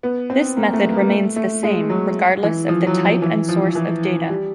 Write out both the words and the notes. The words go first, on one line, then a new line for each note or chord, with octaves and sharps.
This method remains the same regardless of the type and source of data.
B3
C4
A#3
A3
A#3
A3
A3
G#3
F#3
E3
F3
F#3
F3
E3
F3
E3
G3